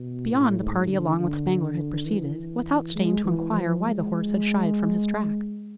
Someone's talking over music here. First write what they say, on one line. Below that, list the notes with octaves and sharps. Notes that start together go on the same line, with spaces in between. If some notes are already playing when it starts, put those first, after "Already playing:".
Beyond the party along with Spangler had proceeded--without staying to inquire why the horse had shied from his track.
Already playing: B2
A2
G#2
D3
D3
E3
G#3
E3
F3
G#3